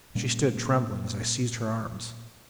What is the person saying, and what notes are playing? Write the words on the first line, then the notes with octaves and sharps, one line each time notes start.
She stood trembling as I seized her arms.
A#2 G3 A#3 C#4